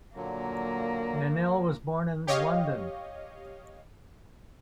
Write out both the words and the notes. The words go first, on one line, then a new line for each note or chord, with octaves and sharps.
Daniell was born in London.
A#2 D3 F#3 A#3
G4 C#5 D#5 F5